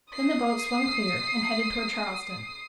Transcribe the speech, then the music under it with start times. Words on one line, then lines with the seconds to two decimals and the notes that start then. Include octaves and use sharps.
Then the boat swung clear and headed toward Charleston.
0.12 D#6 C7